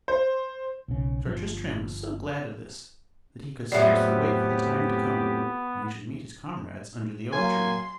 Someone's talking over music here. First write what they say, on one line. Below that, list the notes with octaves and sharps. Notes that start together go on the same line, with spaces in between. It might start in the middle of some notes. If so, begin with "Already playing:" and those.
Sir Tristram was so glad of this that he could scarcely wait for the time to come when he should meet his comrades under the oak tree.
C5
B1 E2 C#3
G1 F3
F2 A2 F#3 B3 G4 D5 E5
F#3 A#3 C#5 G#5 C6